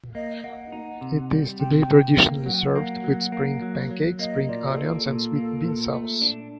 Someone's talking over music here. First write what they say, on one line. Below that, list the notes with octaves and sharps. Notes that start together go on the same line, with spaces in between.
It is today traditionally served with spring pancakes, spring onions and sweet bean sauce.
A#3 D#5
D#5
A#3 F#5
D#4
C3
G3
C3 G5
G5
C3
A#3
F#3 F#5
G5
F#5
A#3
F#3
A#3
F#3
F#3
A#3 D#5
A#2 D5
G4
A#3 A4
A#2
A#3
A#2
A3
D4